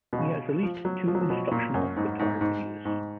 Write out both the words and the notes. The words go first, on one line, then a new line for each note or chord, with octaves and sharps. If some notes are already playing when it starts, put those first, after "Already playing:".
He has released two instructional guitar videos.
B2
C#3
F3
F#3
F3
F#3
F3
B2
A#2
F#2
G#2
G#2
G#2
G#2